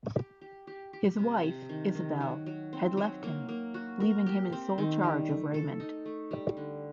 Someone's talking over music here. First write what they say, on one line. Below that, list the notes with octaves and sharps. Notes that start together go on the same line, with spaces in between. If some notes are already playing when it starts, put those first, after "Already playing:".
His wife, Isobel, had left him, leaving him in sole charge of Raymond.
G4
G4
G4
G4
C3
C3
D#3
D#3
F#3
F#3
C4
F#3
A#3
A#3
F#4
A#4
G4
C4
D#3
G3
A3
A4
D#4
A3
G3
D3